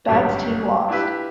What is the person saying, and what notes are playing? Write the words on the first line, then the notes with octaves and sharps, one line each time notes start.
Badd's team lost.
G1 C#2 F#2 B2 G4 C#5
D4 E4 F4 G4 B4 E5